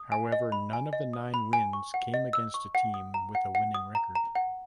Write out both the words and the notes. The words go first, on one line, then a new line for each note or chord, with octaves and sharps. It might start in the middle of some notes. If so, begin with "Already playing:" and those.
However, none of the nine wins came against a team with a winning record.
Already playing: D#6
G#5
D#5
B5
G#5
D#5
D#6
B5
G#5
C#6
F#5
D#5
E6
C#6
F#5
D#6
A#5
F#5
F#5
D#6
A#5
A#5
F#5